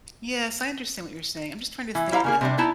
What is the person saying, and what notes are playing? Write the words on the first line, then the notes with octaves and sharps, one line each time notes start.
Yes, I understand what you're saying, I'm just trying to think now.
E3 E4
G3 E4 C5 F5 A#5
C#3 A#3 G#4
C3 G3 D4
B3 D#4 E4 A5